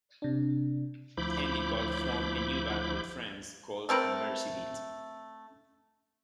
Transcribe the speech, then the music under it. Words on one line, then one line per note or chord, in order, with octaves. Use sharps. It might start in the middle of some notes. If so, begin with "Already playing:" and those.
Endicott formed a new band with friends called Mercy Beat.
C3 D4
D2 F3 E4 B5 D6 G6
A3 C4 A#4 B4